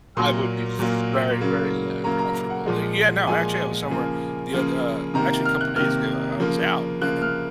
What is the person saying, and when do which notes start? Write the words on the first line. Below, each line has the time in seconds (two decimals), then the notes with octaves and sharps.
I would be very, very uncomfortable. Li yeah, no, actually I was somewhere the other, uh actually a couple of days ago, I was out and
0.17 A#2 F#3 A#3 C6
0.79 A#2 F#3 A#3
1.41 C#3 F#3 A#3
2.04 C#3 F#3 A#3 A#5
2.19 A#5
2.34 A#5
2.50 F#5
2.66 A#2 F3 G#3
3.27 A#2 F3 G#3 G#5
3.89 C#3 F3 A#3
4.52 C#3 F3 A#3
5.14 C3 D#3 A#3 A#5
5.45 F6
5.61 F#6
5.76 C3 D#3 A#3 F6
6.39 C#3 F3 A#3
7.01 C#3 F3 A#3 F#6
7.22 F6